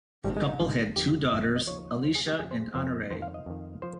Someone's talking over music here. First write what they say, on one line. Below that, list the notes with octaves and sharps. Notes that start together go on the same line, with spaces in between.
The couple had two daughters, Alicia and Honoree.
G#1 G2 D#3 G3
G#3
D#4
G#1 G2 D#3 F4
G1 F2 D#3 G4
G1 F2 D#3 D#5
D#5
D#5
D#2 C#3 F3 C#5
D#2 C#3 F3 C5
G#4
G4
F2 C#3 F3 G#4
C5
F2 C#3 F3 C5
F2 D#3 C5
F5
D#5
F2 D#3
F3 C5